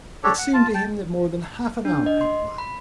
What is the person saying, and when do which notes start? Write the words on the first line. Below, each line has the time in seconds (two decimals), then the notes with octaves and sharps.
It seemed to him that more than half an hour had elapsed.
0.24 D4 G4 A4 C#5
0.38 F#5
0.53 F4 A5
0.74 G5 A5
1.85 D4
2.06 D#5
2.21 C6
2.58 B5